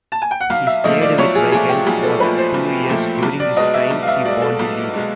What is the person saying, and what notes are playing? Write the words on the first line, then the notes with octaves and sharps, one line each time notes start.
He stayed with Wigan for two years during this time he won the league.
A5
G#5
G5
F#5
B1 F5
E5
A#2 F3 A3 D#5
D5
B1 C#5
G#4
A#2 F3 A3 G#4
G4
B1 G#4
A4
A#2 F3 A3 B4
C5
B1
A#2 F3 A3
B1
D5
B2 G#3 D#5
E5
B1
F5
E5
B2 G#3 D5
A4
B1
B2 G#3